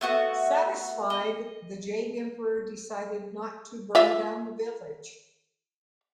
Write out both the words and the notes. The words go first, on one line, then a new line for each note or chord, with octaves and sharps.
Satisfied, the Jade Emperor decided not to burn down the village.
A3 B3 F#4
D#5
F4 E5